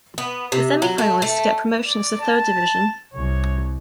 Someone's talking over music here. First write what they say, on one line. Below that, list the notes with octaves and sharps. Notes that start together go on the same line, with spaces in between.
The semifinalists get promotions to third division.
B3
C3
F#3
A3
A3
D5
A5
C2 C#5